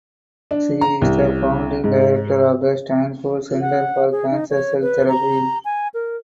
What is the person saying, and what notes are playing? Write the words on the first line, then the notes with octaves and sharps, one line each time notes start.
She is the founding director of the Stanford Center for Cancer Cell Therapy.
D4
A#5
C2
G#2
F#5
G#4
D#4
C#5
B4
A#5
G#5
A#4